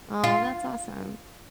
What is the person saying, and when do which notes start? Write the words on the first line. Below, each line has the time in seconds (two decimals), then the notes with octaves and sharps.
Aw, that's awesome.
0.24 F4